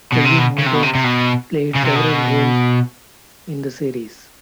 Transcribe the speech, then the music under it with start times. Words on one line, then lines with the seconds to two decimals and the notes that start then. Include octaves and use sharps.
Peggy Mondo played several roles in the series.
0.12 B2
0.24 C3
0.38 B2
0.58 C#3
0.66 C3
0.74 B2
0.83 C3
0.95 C3
1.04 B2
1.75 C#3
1.85 C3
1.96 B2